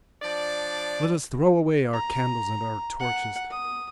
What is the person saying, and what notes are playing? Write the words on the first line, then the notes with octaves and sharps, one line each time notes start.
Let us throw away our candles and our torches.
F3 D4 D5
A#5
F#5
D#6